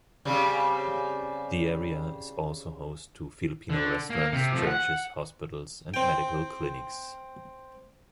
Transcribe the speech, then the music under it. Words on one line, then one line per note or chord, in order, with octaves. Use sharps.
The area is also host to Filipino restaurants, churches, hospitals and medical clinics.
C#3 G3 C4
D3
A#3
C3
F3 A3
F#5
C4 G5